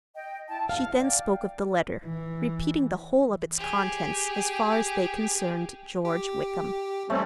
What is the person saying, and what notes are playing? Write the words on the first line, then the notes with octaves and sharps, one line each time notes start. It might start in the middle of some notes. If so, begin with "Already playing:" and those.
She then spoke of the letter, repeating the whole of its contents as far as they concerned George Wickham.
D#5 G5
E4 A5
F5 F#5
D5 G5
E3
G4 G#4
G4
G3 A3 C4 C#4